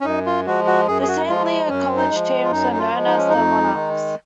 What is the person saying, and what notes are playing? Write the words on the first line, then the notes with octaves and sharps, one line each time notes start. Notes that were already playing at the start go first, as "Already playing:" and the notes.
The Saint Leo College teams were known as the Monarchs.
C#4
F#2 D#4
F4
F3 G#3 F#4
F#4
F#2 G#4
G#4
F#4
F3 G#3 F4
F#2 C#4
D#4
F3 G#3
F4
F#2 D#4
D#4
F4
F3 G#3
D#4
C#4
F2 D#4
D#3 G#3